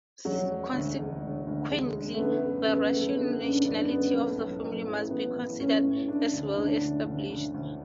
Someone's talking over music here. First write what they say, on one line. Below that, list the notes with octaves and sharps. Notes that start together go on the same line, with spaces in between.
Consequently, the Russian nationality of the family must be considered as well established.
E1 F#3
E1
D2
E1
D2
D2
E1 G#3
D3
A3
D3 B3
F#2
F#1 B3
F#1 A3
D3 B3
B3
F#2
D4
F#1 D4
F#2 B3
B1
B1
B1
A2
E3 B3
E3
B1 C#4
A2
C#3 D4
D2
D2 D4
D2
D2
D2
D2